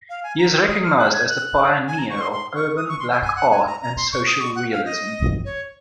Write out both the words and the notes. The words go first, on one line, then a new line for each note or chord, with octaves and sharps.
He is recognised as the pioneer of urban black art and social realism.
F5
G#5
A#5
D#6
F6
F#6
G#6
F#6
G#5
A#5
C#6
C6
C6
C#6
D#6
C#6
C6
G#5
G#5
F#5
G#5
A#5
A#5
C6
C#6
D#6
C#6
F#5
F5
D#5
C#5